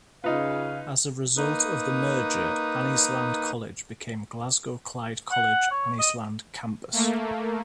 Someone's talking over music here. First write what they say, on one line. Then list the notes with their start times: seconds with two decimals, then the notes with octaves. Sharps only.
As a result of the merger, Anniesland College became Glasgow Clyde College Anniesland Campus.
0.24 C#3 D#4 F4 B4 F5
1.37 A#3 D#4 B4 D#6
5.32 F#5
5.71 C#5
5.99 D#5
6.92 A3 A#3